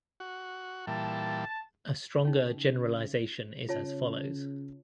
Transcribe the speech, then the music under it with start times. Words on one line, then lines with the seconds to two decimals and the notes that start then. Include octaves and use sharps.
A stronger generalization is as follows.
0.20 F#4
0.87 A#2 E3 G3 A5
2.25 C#3 C#4 D#4
3.69 C#3 F4 C#5 A5